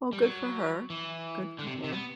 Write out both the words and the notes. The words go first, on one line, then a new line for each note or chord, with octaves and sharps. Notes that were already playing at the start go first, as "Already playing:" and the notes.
Well, good for her. Good for her.
G3
F#3
E3
D3
C3
C3
B3